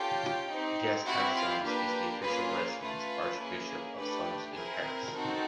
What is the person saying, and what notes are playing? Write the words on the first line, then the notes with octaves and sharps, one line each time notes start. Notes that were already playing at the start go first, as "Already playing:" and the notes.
Guest House Sunce is the official residence Archbishop of Sunce in Paris.
Already playing: C#4 F4 G4 A4 G5
C4 D#4 G4
C4 E4 F#4 G4 F#5
F4 F5
A#3 D4 G4 B4
A#3 C#4 F4 G#4 B4
B4
A3 C#4 F4 B4
A#3 C#4 E4 G#4
A3 D4 G4 B4
C4 E4 G#4 A#4
C4 D#4 F#4 A4